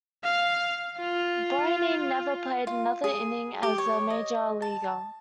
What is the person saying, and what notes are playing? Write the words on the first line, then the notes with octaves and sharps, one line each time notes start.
Breining never played another inning as a Major Leaguer.
F5
F4
F4
G#4
G4
C#5
D#5
A5